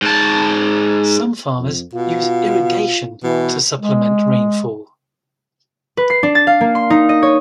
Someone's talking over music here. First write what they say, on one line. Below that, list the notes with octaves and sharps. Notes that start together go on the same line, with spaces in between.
Some farmers use irrigation to supplement rainfall.
G#2 A5
F2
B2 F4
B2 E3
G#3
B4
C7
D4
A6
F5
A#3
C6
D#4
D#5
C#5